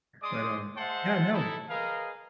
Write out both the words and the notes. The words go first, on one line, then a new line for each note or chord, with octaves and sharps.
but, um Yeah, no
G#3 D5 C6 D6 D#6
G#3 C5 E5 F#5 A5 C6
D#4 E4 A4
G#4 A#4 B4 D#5 F5